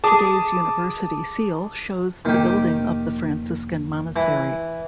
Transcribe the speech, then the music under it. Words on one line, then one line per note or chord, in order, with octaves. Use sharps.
Today's University seal shows the building of the Franciscan Monastery.
G#4 A5 D6 D#6
F1 D#3 A#3 G4
E3